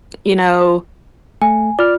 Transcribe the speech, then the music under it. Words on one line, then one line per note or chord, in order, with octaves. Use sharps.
you know,
A3 G#5
F4 D5 F6